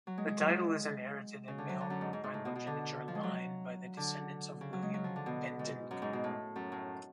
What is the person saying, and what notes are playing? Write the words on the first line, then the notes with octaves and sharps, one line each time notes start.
The title is inherited in male primogeniture line by the descendants of William Bentinck.
F#3
G#3
G#3
F#3
G#3
C#3
D3
F#3
D3
F#2
G#2
G#2
G#2
A2
B2
B2
D3
F3
G#3
F#3
D3
C#3
F#3
G#3
F#3
F3
D3
B2
G#2
F#2
G#2
B2
A2
F#2
A2